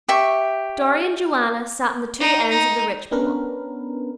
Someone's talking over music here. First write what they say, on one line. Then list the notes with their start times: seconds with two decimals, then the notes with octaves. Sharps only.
Dorry and Joanna sat on the two ends of the ridge-pole.
0.08 G4 E5 C#6
2.20 D#4
2.50 D#4
3.11 B3 C#4 D4 A#4 B4